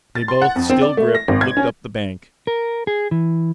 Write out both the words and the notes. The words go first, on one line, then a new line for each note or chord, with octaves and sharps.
They both, still gripped, looked up the bank.
A6
C6
F#5
F2
C4
D5
A3
A#6
G#1
G#6
C#4
A#4
G#4
E3